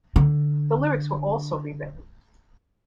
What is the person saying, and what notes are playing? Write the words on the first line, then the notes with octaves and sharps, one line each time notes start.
The lyrics were also re-written.
D3